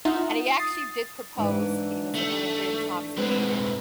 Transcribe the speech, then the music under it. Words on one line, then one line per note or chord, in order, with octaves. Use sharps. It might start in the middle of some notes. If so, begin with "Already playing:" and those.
and he actually did propose, he was a little bit intoxicated,
D#4 F4 E5 F#5
D#6 A6 C7
G#2 E3 D4
A3
A2 G#3 C4 B4